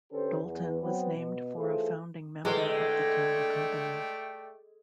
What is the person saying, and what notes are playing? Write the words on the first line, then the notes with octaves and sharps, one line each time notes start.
Dolton was named for a founding member of the town company.
D3 C#4 G4 A4 B4 C5
E2
F#3 B3 C4
B2
E3 A3 F4 G#4 A4 C5
D3 G#3 A3 E4 G#4 B4 D5 G5